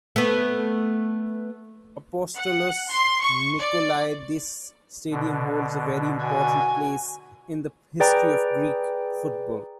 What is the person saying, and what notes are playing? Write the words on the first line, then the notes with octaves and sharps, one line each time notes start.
Apostolos Nikolaidis Stadium holds a very important place in the history of Greek football.
A3 B3
F#5
C6
C#6
D5
B2 D3
F#4 G#5
G#4 B4 D5 G5 A#5